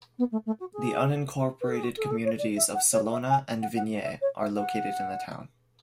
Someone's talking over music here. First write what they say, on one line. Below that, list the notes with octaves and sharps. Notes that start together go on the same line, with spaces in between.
The unincorporated communities of Salona, and Vignes are located in the town.
B3
A3
A3
F#4
G#4
B4
A4
G#4
F#4
A4
G#4
A4
C#5
D5
E5
F#5
C#5
E5
G#5
F#5
F#5
E5
C#5
E5
F#5